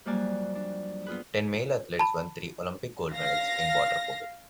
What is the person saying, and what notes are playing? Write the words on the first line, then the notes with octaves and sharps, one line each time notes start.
Ten male athletes won three Olympic gold medals in water polo.
F2 F#3 G3 A#3 D5 G#5
D4
B3 F4 G#4 B4
A5 B5
F5 A#6